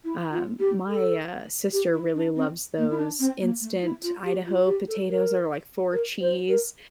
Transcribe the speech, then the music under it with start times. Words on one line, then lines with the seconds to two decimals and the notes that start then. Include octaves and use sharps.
Um, my, uh, sister really loves those instant Idaho potatoes, or like four cheese.
0.04 E4
0.31 F4
0.59 G4
0.87 A4
1.73 G4
1.93 E4
2.15 D4
2.36 C4
2.78 A#3
2.90 E4
2.98 D4
3.19 C4
3.41 A#3
3.61 A3
3.82 E4
4.03 F4
4.25 G4
4.46 F4
4.67 G4
4.88 A4
5.08 A#4
5.92 A#4
6.20 C5
6.49 A#4